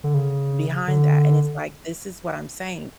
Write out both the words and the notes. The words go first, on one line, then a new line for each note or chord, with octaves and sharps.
behind that. And it's like, this is what I'm saying.
D3
C#3
D3